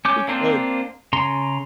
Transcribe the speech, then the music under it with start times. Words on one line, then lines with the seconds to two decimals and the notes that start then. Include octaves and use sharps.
We could.
0.05 C#4 D6 G6
0.28 A#3 C4 D4 F4 C5
1.13 C#3 A#5 C6